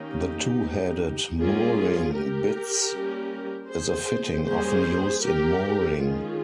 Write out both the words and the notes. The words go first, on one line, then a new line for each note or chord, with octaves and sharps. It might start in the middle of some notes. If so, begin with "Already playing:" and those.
The two-headed mooring bitts is a fitting often-used in mooring.
Already playing: D#3 A#3 C#4 D#4 G4
G3 A#3 C#4 F4 G#4
G4 A#4
G3 A#3 C#4
G#4 C5
G3 A#3 C#4 G#4 C5
G4 A#4
D#3 G#3 C#4 F4 G#4